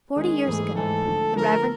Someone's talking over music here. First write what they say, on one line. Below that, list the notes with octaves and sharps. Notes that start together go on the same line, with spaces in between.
Forty years ago, the Rev.
D#3 G#3 C#4 G#4
G#2 E3 A3
G#2 E3 A3 A4
D3 F3 A3
D3 F3 A3 A#4